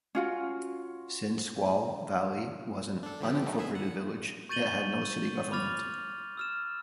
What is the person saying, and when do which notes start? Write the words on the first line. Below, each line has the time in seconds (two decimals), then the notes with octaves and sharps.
Since Squaw Valley was an unincorporated village it had no city government.
0.15 C#4 F4 F#4
3.03 D4 A4
3.21 D3 F3 G4
3.46 F#3 A3 D#4
3.58 B3 G#4 E5
3.75 F#5
4.49 C#6 G6 A6 D#7 F#7 G7
5.52 B5 D6 F6 A6 F7
6.37 E6 F6 E7